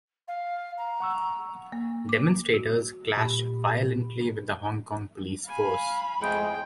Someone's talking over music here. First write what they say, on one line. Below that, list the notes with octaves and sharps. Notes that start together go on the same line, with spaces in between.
Demonstrators clashed violently with the Hong Kong Police Force.
F5
A#5
F#5 C#6 E6
A#3
D6
F#4
A#2 G4 B5
F5 G#5 B5
F2 A2 G#3 G5